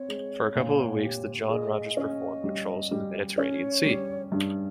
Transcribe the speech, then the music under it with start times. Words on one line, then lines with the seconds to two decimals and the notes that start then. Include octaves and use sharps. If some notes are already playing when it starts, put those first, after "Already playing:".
For a couple of weeks, the John Rodgers performed patrols in the Mediterranean Sea.
Already playing: C4 C#5
0.08 G#3
0.55 A#2
1.03 G4
1.49 G#4 F5
1.53 D#5
1.97 C#4
2.44 G3
2.91 G3
3.37 C#4 C#5
3.86 G3
4.32 G2